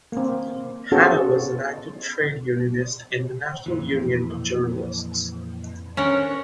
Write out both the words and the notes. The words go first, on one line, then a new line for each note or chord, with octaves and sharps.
Hanna was an active trade unionist in the National Union of Journalists.
A#3 C4
B3 C#4 F4 F#4 G#4 A4
F2 A#2 E3
C#4 D4 A4 A#4 C5 F#5